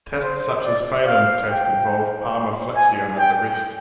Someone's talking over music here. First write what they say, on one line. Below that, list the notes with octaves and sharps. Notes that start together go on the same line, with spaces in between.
Tests such as Phalen's test involve palmarflexion at the wrist.
C5
D5
F5
G5
G#5
G5